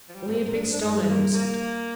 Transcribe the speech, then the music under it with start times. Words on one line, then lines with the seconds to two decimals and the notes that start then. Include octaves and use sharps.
Only a big stone I loosened.
0.09 F3
0.15 G3
0.28 G#2 C4
0.46 A#2
0.54 D4
0.64 G#2
0.73 D4
0.81 G2 D#4
1.08 A#3
1.34 A#3